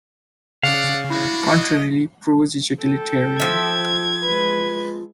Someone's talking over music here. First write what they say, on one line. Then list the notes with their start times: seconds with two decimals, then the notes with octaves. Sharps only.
Contrarily, prose is utilitarian.
0.63 C#3 D5 F5 F#5
1.10 G#3 D4 E4 F#4
1.51 D#5
2.83 A4 G5
3.40 F3 E5 G#6
4.25 G#3 B4